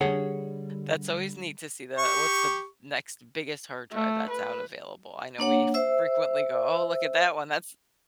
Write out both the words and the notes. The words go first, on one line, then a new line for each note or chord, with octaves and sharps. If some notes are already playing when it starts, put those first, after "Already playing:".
That's always neat to see the what's the next biggest hard drive that's out available. I know we f frequently go, "Oh, look at that one, that's"
D3 G3 G#4 C#5 F#5
G4 C#6
A3
B4
A#3 D4 C#5 F#5
C5 E5 E6